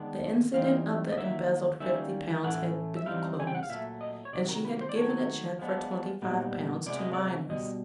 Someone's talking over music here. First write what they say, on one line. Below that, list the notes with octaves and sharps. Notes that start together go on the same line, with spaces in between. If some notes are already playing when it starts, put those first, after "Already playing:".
The incident of the embezzled fifty pounds had been closed, and she had given a cheque for twenty-five pounds to Mynors.
Already playing: D#3 G#3 B3 D4
E3 G3 C4 D#4 F5
D#5
D#3 F#3 A#3 E5
D#3 G3 A#3 C#4 E5
A2 E3 A3 C#4 F#5
E5
E3 G3 C4 D#4 F5
G#5
G5
F#5
F5
A#2 F#3 A3 E5
D#5
C#5
C3 D#3 F#3 D5
A#4
B4
C5
D5
D#3 F#3 A3 C#5
F3 G#3 B3 D4
A#2 G3 B3 D#4
C3 F3 G#3 B3 D5
D#5
D5
B2 G3 D#5